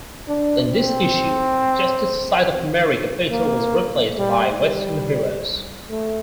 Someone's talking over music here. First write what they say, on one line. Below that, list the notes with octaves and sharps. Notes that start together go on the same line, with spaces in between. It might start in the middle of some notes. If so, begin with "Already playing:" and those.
In this issue, the "Justice Society of America" feature was replaced by Western heroes.
D4
C4
A#3
G3
G3
A3